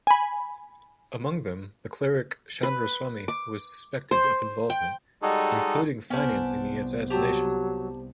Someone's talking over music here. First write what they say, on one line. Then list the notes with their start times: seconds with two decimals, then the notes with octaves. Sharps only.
Among them, the cleric Chandraswami was suspected of involvement, including financing the assassination.
0.07 G#5 B5
2.63 B4
3.28 D6
4.11 C5
4.70 G5
5.22 G3 G#3 D#4 F#4 G#4 A4
6.10 C2 B3 C#4 D4 C5 D5
7.10 F#3 G4 A5 A#5